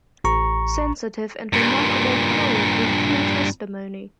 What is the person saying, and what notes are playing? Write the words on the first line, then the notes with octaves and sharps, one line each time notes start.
Sensitive and remarkable poet with true testimony.
A1 A#5 C#6
G2 A#2